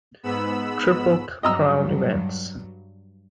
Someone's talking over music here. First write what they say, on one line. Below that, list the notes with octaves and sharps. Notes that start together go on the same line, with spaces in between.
Triple Crown events.
G#2 B3 B5 E6
G2 F#3 D#5 A#5 E6